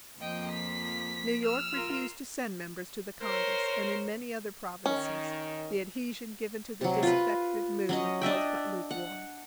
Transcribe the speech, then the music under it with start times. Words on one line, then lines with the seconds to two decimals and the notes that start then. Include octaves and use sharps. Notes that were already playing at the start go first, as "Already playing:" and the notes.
New York refused to send members to the Congress, and in many other provinces the adhesion given to the disaffected movement was but lukewarm.
0.21 F2 F3 A#3 D#5 G5
0.51 B6
1.44 E6 F6
1.73 F4 A#4
3.22 A#4 C5 C#5
4.86 D#3 C#4
6.81 C3 F#3
7.03 F4 B4
7.89 F#3 C#4 D#5
8.21 D4 D#5 E5 G5
8.91 F#5